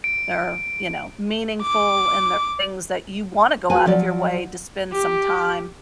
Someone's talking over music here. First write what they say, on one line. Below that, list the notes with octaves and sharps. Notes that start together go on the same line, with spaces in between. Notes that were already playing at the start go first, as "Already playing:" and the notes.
They're, you know, meaningful, and they're things that you wanna go out of your way to spend some time,
D7
D6
F#4 G#4 B4 G#5
F3 F#3 D5
G4